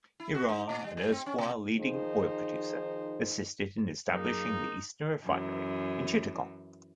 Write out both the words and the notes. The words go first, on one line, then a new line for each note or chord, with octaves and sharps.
Iran, an erstwhile leading oil producer, assisted in establishing the Eastern Refinery in Chittagong.
E4
F#4
D#4
A#2
G3
G3
C4
C#4
B2
D#3 F3 D#4 G#4 C5
F#2 F#3 A#3 D#4 G#4
F#2 E3